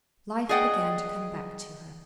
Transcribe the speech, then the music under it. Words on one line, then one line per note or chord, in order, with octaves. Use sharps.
Life began to come back to her.
G#4 D5 D#5 F#5 G5